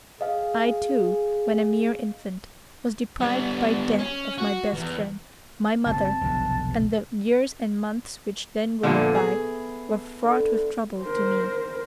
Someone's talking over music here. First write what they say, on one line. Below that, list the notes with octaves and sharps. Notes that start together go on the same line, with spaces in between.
I, too, when a mere infant, was deprived by death of my best friend--my mother--and the years and months which then rolled by were fraught with trouble to me.
G#4 D#5 F5
G3 B3
C#4
F#4
E2
F#1 F#3 C4 A5
F1 B1 D3
A#2 D3 F3 A3 B3 A4
G#4
D3
A#4 C5